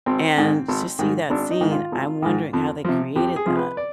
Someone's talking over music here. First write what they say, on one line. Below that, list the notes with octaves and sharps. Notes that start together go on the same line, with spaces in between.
And to see that scene, I'm wondering how they created that,
G#1 C4
G#2 D#3
G#1
G#2 D#3
G#1 D4
D#4
G#2 D#3
F4
G#1
G#2 D#3
F2
C3 F3
F2 G4
G#4
C3 F3
B4
D5